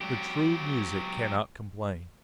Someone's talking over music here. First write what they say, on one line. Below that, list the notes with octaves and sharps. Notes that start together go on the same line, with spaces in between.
The true music cannot complain.
F#3 G4